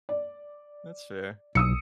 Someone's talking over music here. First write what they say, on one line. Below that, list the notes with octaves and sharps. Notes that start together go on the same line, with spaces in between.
That's fair.
D5
B1 D#6 E6 C#7